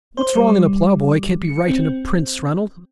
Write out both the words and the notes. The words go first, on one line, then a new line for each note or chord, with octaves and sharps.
What's wrong in a ploughboy can't be right in a prince, Ranald.
C5
G3
C#7
C4